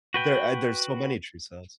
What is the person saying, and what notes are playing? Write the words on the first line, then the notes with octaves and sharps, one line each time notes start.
there uh, there's so many true selves.
F#4 B4 G5